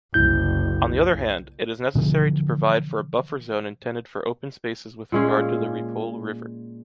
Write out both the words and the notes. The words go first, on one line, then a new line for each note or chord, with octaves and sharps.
On the other hand, it is necessary to provide for a buffer zone intended for open spaces with regard to the Ripoll River.
F#1 C2 E4 G6
B2 D3 E3 F3
A#2 G#3 C#4 F5